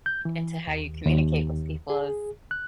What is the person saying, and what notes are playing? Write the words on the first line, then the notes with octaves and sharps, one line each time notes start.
into how you communicate with people is
G6
E3
D#2
D#2
G#4
F#6